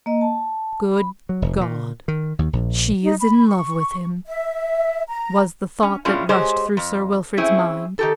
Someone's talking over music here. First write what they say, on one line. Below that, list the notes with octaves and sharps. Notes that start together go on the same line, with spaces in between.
"Good God! she is in love with him!" was the thought that rushed through Sir Wilfrid's mind.
A#3 D#5
A5
B5
F#3
F1
A#2
D#3
D#2
A#1
D#4
B5
C#6
E5
A#5
C#4
A2 G3 G#3 C#4 D4 F4
G#3 G4 G#4 C5 C#5 D#5
F2
C4 C#4 E4 G#4
D#3 G4 A4